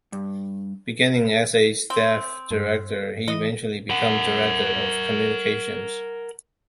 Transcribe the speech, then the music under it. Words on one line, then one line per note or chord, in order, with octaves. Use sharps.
Beginning as a staff director, he eventually became Director of Communications.
G2
C4
G2
E3 D#5
A#4 F#5